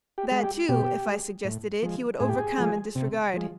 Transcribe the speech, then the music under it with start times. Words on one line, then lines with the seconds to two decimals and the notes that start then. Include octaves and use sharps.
That, too, if I suggested it, he would overcome and disregard.
0.18 G4
0.31 G#3
0.44 G4
0.69 B2 G4
1.06 G#3
1.44 A2
1.82 F3 G#3
2.20 A2 G#4
2.29 G4
2.38 G#4
2.58 F3 G#3
2.95 C3
3.33 F3 G#3